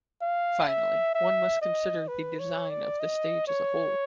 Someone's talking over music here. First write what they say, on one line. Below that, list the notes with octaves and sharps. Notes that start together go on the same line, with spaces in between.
Finally, one must consider the design of the stage as a whole.
F5
E5
E5
D#5
B4
C#5
D5
D#5
C#5